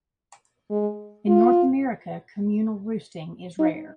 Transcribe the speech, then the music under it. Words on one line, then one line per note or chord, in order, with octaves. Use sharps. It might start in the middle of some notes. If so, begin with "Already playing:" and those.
In North America, communal roosting is rare.
G#3
F4
D#4